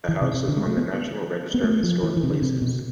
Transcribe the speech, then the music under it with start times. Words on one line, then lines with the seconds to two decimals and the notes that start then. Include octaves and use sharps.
The house is on the National Register of Historic Places.
0.08 E3
0.21 C3
0.34 C3
0.48 D3
0.57 G#3
0.67 A3
0.77 B3
1.54 B3
1.64 A3
1.83 F3
2.03 E3
2.17 E3
2.23 C3
2.30 D3
2.42 C3
2.62 B2